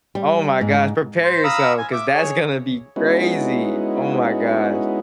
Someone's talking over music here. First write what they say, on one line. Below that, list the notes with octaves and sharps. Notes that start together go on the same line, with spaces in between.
Oh, my gosh. Prepare yourself 'cause that's gonna be crazy. Oh, my gosh.
G3
G#2
C5
F5 A#5 B5 D#6 E6
G#5
E5 D6
G#4 C#5
G#3 B3 C#4 D#4 E4 F#4